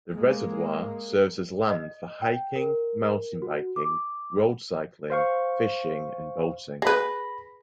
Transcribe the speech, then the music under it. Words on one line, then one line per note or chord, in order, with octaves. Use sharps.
The reservoir serves as land for hiking, mountain biking, road cycling, fishing, and boating.
G#3 A#3
D#5
G5
A#4
F#4
D6
C5 F5 C#6
G#4 B4 B5 A#6